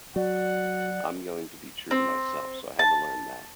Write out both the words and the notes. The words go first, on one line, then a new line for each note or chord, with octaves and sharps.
I'm going to be true to myself, so I had to learn that.
F#3 F#4 D5 F#5
C4
A5